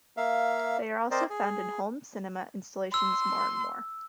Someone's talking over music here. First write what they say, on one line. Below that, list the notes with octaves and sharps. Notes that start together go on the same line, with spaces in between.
They are also found in home cinema installations more and more.
A#3 E5 F5
C4 A#4 C5 D5 D#5
G#4
C6 E6